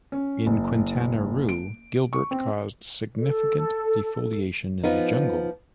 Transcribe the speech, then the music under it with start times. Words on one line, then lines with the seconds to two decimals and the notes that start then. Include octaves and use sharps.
In Quintana Roo, Gilbert caused significant defoliation in the jungle.
0.12 C#4
0.47 F#1
1.49 D7
2.13 C#6
2.31 C4
3.19 A4
4.83 F3 B3 D#4